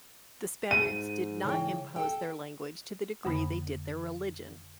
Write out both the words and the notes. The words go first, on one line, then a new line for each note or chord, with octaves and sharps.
The Spaniards did not impose their language to the degree they did their religion.
G#2 D#7
C#3 E3 G5
A4 G5
F2 D3 A#3 B5